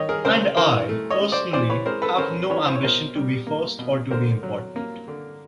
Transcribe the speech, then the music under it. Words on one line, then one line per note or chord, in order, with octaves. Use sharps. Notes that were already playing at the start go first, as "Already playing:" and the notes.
And I, personally, have no ambition to be first or to be important.
Already playing: D#3 C#5 D#5
G#4 A#4
C#3 A#4 C5
E3 A#4 C5
A3
C#5 D#5
C#4
C5 D5
E3 C5 D5
B4 C#5
G#3 A#4 C5
A4 B4
C#4 A#4 C5
E3 B4 C#5
C5
C#5
B2 A#4 C5
G3
A#3
B2
D3 A#4 C5
F#3
A#3
D3